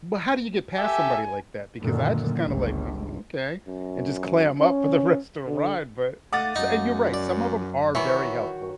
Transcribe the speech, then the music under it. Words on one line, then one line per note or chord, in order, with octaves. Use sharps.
But how do you get past somebody like that, because I just kinda like, "Oh, okay," and just clam up for the rest of the ride, but so and you're right, some of them are very helpful,
G4 A4 E5 G#5
F#2 A#2 D3 D#3
G1 C#2
F#2
C#4
D3
A3 D#5 F5 F#5 D6 A6
F#2 D#4
D5
D#3 E3 F#4 C#5 C#6